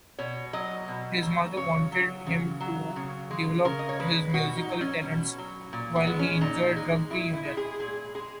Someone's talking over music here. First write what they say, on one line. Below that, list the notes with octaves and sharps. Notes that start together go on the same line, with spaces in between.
His mother wanted him to develop his musical talents, while he enjoyed rugby union.
B2 C#5
F#3 D#5
B2
F#3
C#3 C#5
F#3
C#3
F#3
C#3
G#3
C#3 A#4
D#5
C#5
G#3 B4
B2 F#4
D#4
F#3
C#4
B2
F#3
A#2
B3
G#3
C#4
A#2 D#4
G#3
A#2 E4
E4
G#3
G#4
A#2 G#4
G#3 G#4